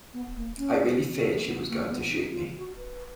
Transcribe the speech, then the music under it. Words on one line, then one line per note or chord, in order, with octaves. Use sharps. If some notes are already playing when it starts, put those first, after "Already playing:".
I really feared that she was going to shoot me.
B3
A#3
C#4
B3
A#3
B3
D#4
F4
F#4
B4